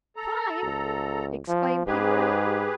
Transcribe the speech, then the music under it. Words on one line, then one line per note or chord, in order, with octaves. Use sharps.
"Climb!" exclaimed Peter Rabbit.
A4 A#5
C#2
F3
G#2 G4 G#4 B4